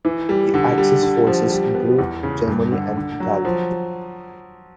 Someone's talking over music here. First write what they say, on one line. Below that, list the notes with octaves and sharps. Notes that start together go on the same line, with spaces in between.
The Axis forces include Germany and Italy.
E3
G3
D3
G3
D3
F3
G3
B3
E2
C#3
G2
D3
D3
F#3
F3